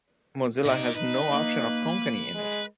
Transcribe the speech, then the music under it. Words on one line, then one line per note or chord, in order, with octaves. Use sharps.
Mozilla has no option of Konkani in it.
A#2 D#4 D5
D#4 B4
A#3
G#3